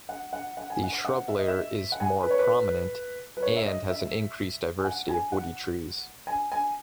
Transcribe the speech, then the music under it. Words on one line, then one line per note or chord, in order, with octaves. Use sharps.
The shrub layer is more prominent and has an increased diversity of woody trees.
F#5
F#5
F#5
G#5
F#5
F#5
E5
D#5
E5
F#5
G#5
B4
C#5
B4
B4
C#5
E5
D#5
E5
G#5
F#5
G#5
F#5
G#5
G#5